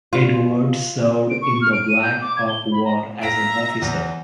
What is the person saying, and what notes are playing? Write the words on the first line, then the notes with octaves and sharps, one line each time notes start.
Edwards served in the Black Hawk War as an officer.
F4
D7
C#6
F6
D7
D#7
G6
D6
G#6
G7
B5
A#5
E5 F5 A#5 B6 D7
E2